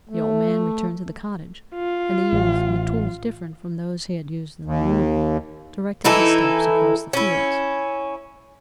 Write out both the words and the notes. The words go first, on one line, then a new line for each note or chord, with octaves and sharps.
The old man returned to the cottage, and the youth, with tools different from those he had used in the morning, directed his steps across the fields.
A3
F4
A1
D#2
E3 D#4 E4 A4
C#4 E4